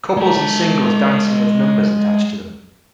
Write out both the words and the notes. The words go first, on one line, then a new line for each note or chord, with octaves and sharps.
Couples and singles dancing with numbers attached to them.
G#3 A5